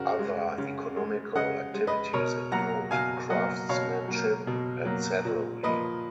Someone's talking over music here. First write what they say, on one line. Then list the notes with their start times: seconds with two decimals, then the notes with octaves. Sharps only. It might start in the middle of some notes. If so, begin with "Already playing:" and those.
Other economical activities include craftsmanship and saddlery.
Already playing: C#3 F#4 A#4
0.19 G#3
0.58 C#3
0.97 G#3
1.35 C#3 D#5 F#5
1.74 G#3
1.87 B4 D#5
2.13 B2 A#4 C#5
2.52 F#3 A#3 F#5 A#5
2.91 B2 F5 G#5
3.30 F#3 A#3 D#5 F#5
3.69 B2 C#5 F5
4.08 F#3 A#3
4.47 B2
4.85 F#3 A#3
5.25 A#2
5.63 F3 A#3 B4 D#5